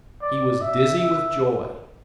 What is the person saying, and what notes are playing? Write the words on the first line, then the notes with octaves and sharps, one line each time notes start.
He was dizzy with joy.
D5
E5
E5